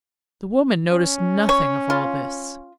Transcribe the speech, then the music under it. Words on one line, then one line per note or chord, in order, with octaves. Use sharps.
The woman noticed nothing of all this.
C#4
C#5
F4